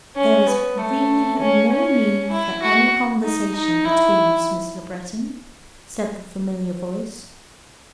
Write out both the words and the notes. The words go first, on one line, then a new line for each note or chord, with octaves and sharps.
"There is really no need for any conversation between us, Miss Le Breton," said the familiar voice.
C#4
B3
A3
C#4
C#4
E4
F#4
D#4
D#4
E4